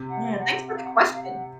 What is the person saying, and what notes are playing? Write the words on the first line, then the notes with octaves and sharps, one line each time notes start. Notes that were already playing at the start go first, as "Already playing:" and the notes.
Yeah. Thanks for the question.
Already playing: C3
F#5
F#5
F#5
F5
F#5
F5
F5
F#5